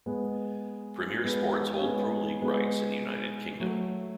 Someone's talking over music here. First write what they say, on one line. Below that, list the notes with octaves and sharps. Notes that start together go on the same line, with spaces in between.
Premier Sports hold Pro League rights in the United Kingdom.
G#3 B3
G#3 B3
C#4
G#3 B3
G#3 B3
F#3 A3